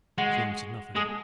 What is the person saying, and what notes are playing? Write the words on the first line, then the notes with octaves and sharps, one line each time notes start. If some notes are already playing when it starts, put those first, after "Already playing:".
She answered nothing.
G#3 F#4
G#3 G#4